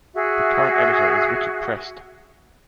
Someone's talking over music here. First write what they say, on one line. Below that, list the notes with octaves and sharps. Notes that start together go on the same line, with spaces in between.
The current editor is Richard Prest.
F#4 G#4 E5